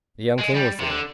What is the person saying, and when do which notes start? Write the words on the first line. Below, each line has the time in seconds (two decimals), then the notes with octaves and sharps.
The Young King was there.
0.38 G#3
0.55 G3
0.79 C3
0.88 D3